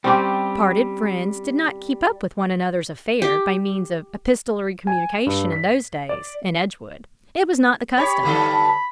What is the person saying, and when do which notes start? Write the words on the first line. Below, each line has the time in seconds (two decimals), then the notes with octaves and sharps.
Parted friends did not keep up with one another's affairs by means of epistolary communication, in those days, in Edgewood; it was not the custom.
0.04 G3 C4 C#4 G4
3.22 G4
4.87 G#5
5.27 G2
5.52 B6
6.09 D5
7.97 G4 C#5 B5
8.23 G2 D3 A4
8.67 B5